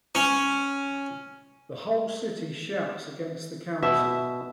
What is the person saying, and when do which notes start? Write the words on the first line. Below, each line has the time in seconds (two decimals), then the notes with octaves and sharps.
The whole city shouts against the Council.
0.15 C#4
3.83 B2 E5